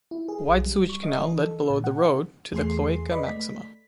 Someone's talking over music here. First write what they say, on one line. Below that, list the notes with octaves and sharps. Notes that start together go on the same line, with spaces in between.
A wide sewage canal led below the road to the Cloaca Maxima.
E4
G#4
B1
G3
C#6
D#5
E3
A4
A#2
F#5
E2 A3 G#4 G#5 C6 C7
B4 D5 D#5 B5
A3 B6